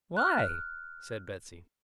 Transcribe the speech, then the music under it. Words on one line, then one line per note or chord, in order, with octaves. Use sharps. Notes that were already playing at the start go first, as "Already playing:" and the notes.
"Why?" said Betsy.
F6 F#6